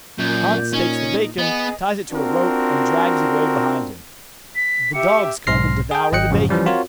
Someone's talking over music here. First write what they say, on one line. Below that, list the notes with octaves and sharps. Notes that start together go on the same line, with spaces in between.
Hans takes the bacon, ties it to a rope, and drags it away behind him. The dogs come and devour the bacon.
F#2 A#2 D5 G6
C#4 D#4
B3 G#4 D#5
C4 D4 F4 F#4 A#4
B6
G4 E5 C#7
B1 G#2 C6 F6 A#6 C7
G#4 G5
G#1 D#5 G5 F#6 C#7
F#2 A2 C#3 F3
E3 F3 G3 C#4
C4 F4 F#4 A#4 C#5